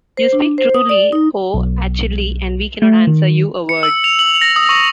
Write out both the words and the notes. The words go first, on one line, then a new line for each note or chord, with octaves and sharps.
You speak truly, O Achilli, and we cannot answer you a word.
C5
D4
C5
D#6
D5
D#4
B1
A3
D#3
C#7
E6
F7
F#7
A#6
D#6
C#6